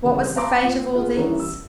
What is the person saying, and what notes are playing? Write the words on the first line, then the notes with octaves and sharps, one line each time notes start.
What was the fate of all these?
C#3 E3 G3 A#3
B4 F5 A5 A#5 C6 D6
C4 F4
B3 F4 G#4
E3 G3 A#3 B3 C#4 E4
E6